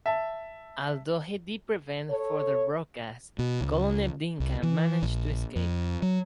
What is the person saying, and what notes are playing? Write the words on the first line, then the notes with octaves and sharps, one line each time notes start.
Although he did prevent further broadcasts, Colonel Dimka managed to escape.
E5 A5
A4 C#5
B2
C#2
C2
E3
A#1
F2
F#3